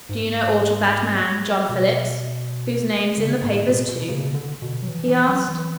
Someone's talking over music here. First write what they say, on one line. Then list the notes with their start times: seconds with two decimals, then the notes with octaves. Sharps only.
"Do you know aught of that man, John Phillips, whose name's in the papers too?" he asked.
0.09 G#2
1.69 B2
3.18 C#3
3.29 D3
3.43 G#2
3.49 A2
3.69 B2
3.89 B2
4.09 C#3
4.20 B2
4.27 C#3
4.35 D3
4.62 B2
4.82 F#3
4.88 E3
5.08 E3
5.29 F#3
5.48 E3